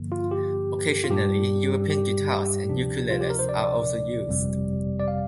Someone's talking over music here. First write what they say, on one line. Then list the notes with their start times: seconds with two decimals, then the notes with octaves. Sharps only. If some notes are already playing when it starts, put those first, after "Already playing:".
Occasionally, European guitars and ukuleles are also used.
Already playing: G2 D3 F3 A#3
0.12 F4
0.31 G4
1.04 F4
1.10 G2 G3 D4 G4
1.90 G4
2.69 D2 C3 F3 D4
3.11 F4
3.21 G4
3.30 A#4
3.39 C5
3.49 D5
4.28 G1 F2 C3 G3
5.00 D5
5.08 F5